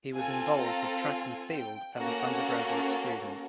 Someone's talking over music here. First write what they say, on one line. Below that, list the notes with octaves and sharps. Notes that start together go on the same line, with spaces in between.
He was involved with track and field as an undergraduate student.
C4 F4 A4 G#5
A#5
G#5
G5
A#3 C#4 F#4 A4 F#5